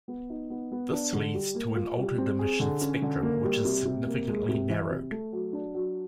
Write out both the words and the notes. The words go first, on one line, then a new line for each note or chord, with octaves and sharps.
This leads to an altered emission spectrum, which is significantly narrowed.
B3
D#4
B3
B3
D4
D3
G3
A#3
F4
G3
C4
G#4
D3
C#4
D3
A#3
G3
C3
C3
A#3
G#3
C3
E3
C3
A3
F#3
D4
F#3